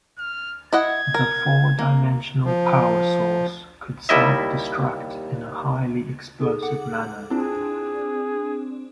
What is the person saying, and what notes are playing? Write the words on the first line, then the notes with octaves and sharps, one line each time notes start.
The four-dimensional power source could self-destruct in a highly explosive manner.
F6
E4 D#5 F#5 G#6
A#4
A#3
F3
D#2 G3 E4 D#5 E5
D#4 G#4 A4
F#5 D6
C4 D4 E4 F4 G#4 A5